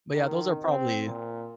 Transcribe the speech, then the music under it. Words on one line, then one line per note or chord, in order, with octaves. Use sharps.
But yeah, those are probably
D#3
C4
A#2